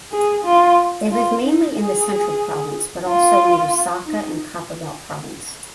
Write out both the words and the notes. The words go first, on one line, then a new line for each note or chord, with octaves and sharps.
They live mainly in the Central province but also in Lusaka and Copperbelt province.
G#4
F4
F4
D#4
G#4
F4
D#4